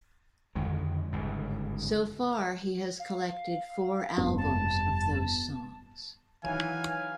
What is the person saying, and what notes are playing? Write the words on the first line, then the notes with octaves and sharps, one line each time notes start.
So far, he has collected four albums of those songs.
F2 D3 D#3 G#3
G1 C#2 G#2
F5
F1 G2 B3
A5
D#3 E3 F#3 F5 G#5